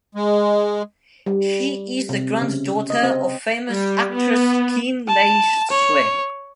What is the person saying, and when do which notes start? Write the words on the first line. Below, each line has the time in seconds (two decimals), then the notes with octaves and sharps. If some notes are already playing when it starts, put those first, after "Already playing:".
She is the granddaughter of famous actress Khin Lay Swe.
0.15 G#3
1.26 G3
2.09 C3
2.41 C#3
2.90 D#5
3.03 C4
3.69 G3
4.13 B3
5.07 A5
5.71 C#5